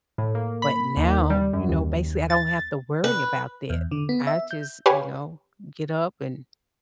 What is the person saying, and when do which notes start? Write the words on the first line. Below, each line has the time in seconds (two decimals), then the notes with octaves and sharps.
but now, you know, basically, I don't have to worry about that. I just, you know, get up and
0.18 A2
0.35 A#3
0.62 B5
0.97 D#2
1.30 G3
1.53 F#2
1.69 D#2
2.30 A6
3.04 B4
3.70 E2
3.91 D3
4.09 B3
4.27 E5
4.51 G6
4.86 G4 B4 C#5 F5 G#5